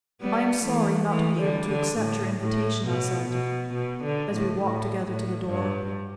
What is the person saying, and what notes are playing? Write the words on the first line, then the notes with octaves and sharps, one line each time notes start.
"I am sorry not to be able to accept your invitation," I said, as we walked together to the door.
G3 B3
E3 A3
E3 A3
D3 G3
D3
A2
A2
B2
B2
B2
D3
A2
A2
A2
G2